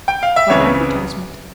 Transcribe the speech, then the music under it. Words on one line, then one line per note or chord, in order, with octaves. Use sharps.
"By advertisement."
G5
F5
E5
C#2 C#3 E3 G#3 C4 C#5